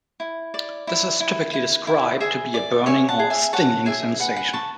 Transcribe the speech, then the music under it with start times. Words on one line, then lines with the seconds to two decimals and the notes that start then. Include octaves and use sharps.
This is typically described to be a burning or stinging sensation.
0.20 E4
0.54 D5
0.87 E4
1.20 E4
1.53 E4
1.87 E4
2.20 G#4 E5 G#5
2.54 D5
2.86 C#5 E5 G#5
3.08 F#5 A5
3.19 G#4
3.30 E5 G#5
3.53 C#5 F#5 A5
3.86 G#4 E5 G#5
4.19 B4 F#5
4.36 F#5
4.53 B4 A5 C#6